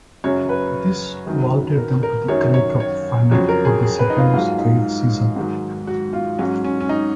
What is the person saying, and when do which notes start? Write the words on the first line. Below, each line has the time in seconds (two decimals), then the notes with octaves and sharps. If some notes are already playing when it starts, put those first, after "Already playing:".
This vaulted them to the Grey Cup final for the second straight season.
0.24 F#2 C#3 F#3 C#5
0.49 B4
1.26 F#2 D#3 F#3
1.77 A#4
2.03 A#4
2.28 F#2 D#3 F#3 C#5
2.54 C#5
2.80 C#5
3.31 F2 C#3 F#3 C#5
3.49 A#4
3.65 G#4
3.83 G#4
3.99 B4
4.10 D#4
4.17 F4
4.33 G#2 F#3 F4
4.59 D#4
5.36 G#2 D#3 F#3
5.87 F#4
6.13 F4
6.39 G#2 F#3 C#4
6.64 C#4
6.81 C#4
6.89 D#4